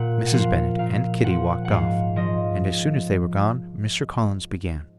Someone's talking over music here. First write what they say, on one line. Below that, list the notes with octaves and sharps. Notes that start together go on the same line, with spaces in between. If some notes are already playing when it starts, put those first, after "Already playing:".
Mrs. Bennet and Kitty walked off, and as soon as they were gone, Mr. Collins began.
Already playing: A#2 F#5
F#5
F3 F5
A#2 F5
F3 F#5
F#5
G#2 F5
F3 D#5